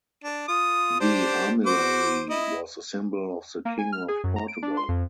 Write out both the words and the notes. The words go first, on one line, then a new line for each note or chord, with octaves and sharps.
The armillary was a symbol of the king of Portugal.
D4
F4 D#6
D4 G4 C5
F#4 C5 D6
E4 D#5
A#3
G#5
F6
G#4
F#2
A#5
D7
D4
C6
F2